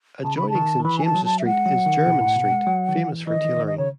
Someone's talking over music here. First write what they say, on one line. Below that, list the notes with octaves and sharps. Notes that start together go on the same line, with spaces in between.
Adjoining Saint James's Street is Jermyn Street, famous for tailoring.
C#3 A5
B5
A5
D#3
D#3
E3 B5
G#5
A5
F#3
A5
E5
G#3 F#5
F#3
D#3
B2
A2
B2
G#3
F#3
D#3
E3
E3 D#5
D#3
E3
D#3
D#5
C#3 C#5